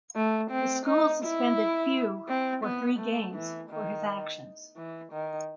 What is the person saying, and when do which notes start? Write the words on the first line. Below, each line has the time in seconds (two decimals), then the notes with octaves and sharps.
The school suspended Few for three games for his actions.
0.16 A3
0.51 C4
0.86 D#4
1.23 E4
2.28 C4
2.64 B3
2.99 A3
3.35 E3
3.70 D#3
4.77 E3
5.13 D#3